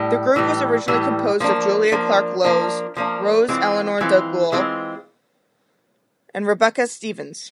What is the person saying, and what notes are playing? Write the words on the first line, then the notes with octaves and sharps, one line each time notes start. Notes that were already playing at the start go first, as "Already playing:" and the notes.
The group was originally composed of Julia Clarke-Lowes, Rose Elinor Dougall and Rebecca Stephens.
Already playing: A2 G3
A2 E3 G3
A2 E3 G3
F3 A#3 D4
F3 A#3 D4
F3 A#3 D4
F3 A#3 D4
E3 G#3 C4 F4
E3 G#3 C4 F4
E3 G#3 C4 F4